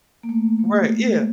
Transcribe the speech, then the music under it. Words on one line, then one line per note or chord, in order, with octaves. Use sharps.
Right, yeah.
A#3
A3
A3
G#3